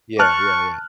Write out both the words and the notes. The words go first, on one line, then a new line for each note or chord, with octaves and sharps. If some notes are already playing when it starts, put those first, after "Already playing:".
Yeah, yeah, yeah.
A5 C#6 F6 F#6